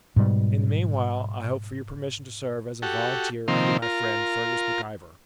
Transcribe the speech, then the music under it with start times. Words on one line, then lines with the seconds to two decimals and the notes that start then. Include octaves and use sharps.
In the meanwhile, I hope for your permission to serve as a volunteer under my friend Fergus Mac-Ivor.'
0.16 G#2 B2 G3
2.82 F#4 G4 A4
3.48 C3 D#3 F3 A#3 C4
3.82 F4 A#4